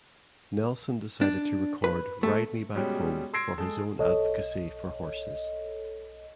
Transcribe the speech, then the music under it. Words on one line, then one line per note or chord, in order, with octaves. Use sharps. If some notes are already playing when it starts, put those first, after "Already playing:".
Nelson decided to record "Ride Me Back Home" for his own advocacy for horses.
D4
B4
A3
B2 G3 G#3 C#4
C6 E6 G#6 A#6 C7 D7
G#3 G#4 A4
B1 A4 C#5 D#5